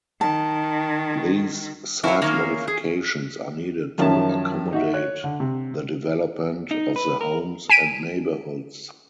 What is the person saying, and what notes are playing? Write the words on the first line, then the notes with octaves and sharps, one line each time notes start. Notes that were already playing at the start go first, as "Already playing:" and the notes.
These site modifications are needed to accommodate the development of the homes and neighborhoods.
D#3 A5
F#3 A#3 E4 F#4 F5
D#3 A#3 C#4 F5
G#4
F#2 D#3 F3 C#4 E5 A5
D#4 F#4 E5
C#5 F#6
D3
C3
D#4
B4
A#4
G#5 B6 D7 D#7